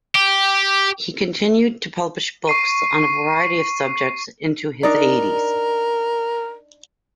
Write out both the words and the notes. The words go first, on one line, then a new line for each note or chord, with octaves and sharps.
He continued to publish books on a variety of subjects into his eighties.
G4
C#6 C7 D#7
D4 D#4 A#4 D5